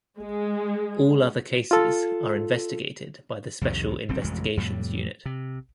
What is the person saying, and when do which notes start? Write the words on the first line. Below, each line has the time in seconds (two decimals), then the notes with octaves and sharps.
All other cases are investigated by the Special Investigations Unit.
0.18 G#3
1.71 F4 A4
3.61 C2 F2 C3 D#3
4.09 F#1 C2 C4
4.24 A1 F2 C3 G#3
4.57 F2 A2 C3 G3
5.25 C3